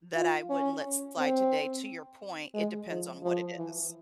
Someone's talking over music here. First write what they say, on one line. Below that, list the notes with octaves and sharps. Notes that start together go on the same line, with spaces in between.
that I wouldn't let slide today, to your point, it depends on what it is.
F4
C#4
C4
G#3
F3
F3
E3